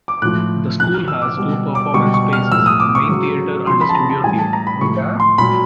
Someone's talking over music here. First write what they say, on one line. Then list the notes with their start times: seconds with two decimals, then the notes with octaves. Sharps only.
The school has two performance spaces, a main theater and a studio theater.
0.08 D6
0.22 A2 F3 F#6
0.80 C3 F3 F#6
0.94 F6
1.08 E6
1.22 D6
1.37 B2 G3
1.75 D6
1.94 B2 G3 C#6
2.14 C#6
2.33 F6
2.52 A2 F3 E6
2.66 D#6
2.80 D6
2.95 C#6
3.09 C#3 F#3
3.67 C#3 F3 C6
3.81 B5
3.89 A5
3.95 A#5
4.10 A5
4.24 A2 E3 G3 G#5
4.39 A5
4.53 A#5
4.67 B5
4.81 A2 F3 C#6
5.20 C6
5.38 A#2 F#3 B5